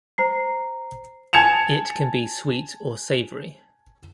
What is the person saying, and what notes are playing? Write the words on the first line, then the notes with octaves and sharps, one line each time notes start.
It can be sweet or savoury.
C5 A#5 C7
G#5 A5 G#6 C#7 E7 F7